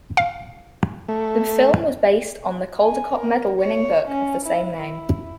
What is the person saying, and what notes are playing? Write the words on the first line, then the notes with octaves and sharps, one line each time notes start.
The film was based on the Caldecott Medal winning book of the same name.
F5
A3
G#5
A#4
C#5
C#4
E4
E4